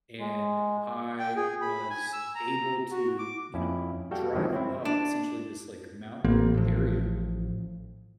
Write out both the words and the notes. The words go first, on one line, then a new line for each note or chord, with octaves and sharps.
and I was able to, you know, drive up essentially this, like, mountain area,
G#3
G5
G#4
B5
G#5
E6
A#5
F#4
D6
F2 C#4 E4
G3 F#4 A4 F5 G5
G2 D#3 F3 F#3 G#3 C#4
C4 E4
D4
A1 A#3 C4
A2 F3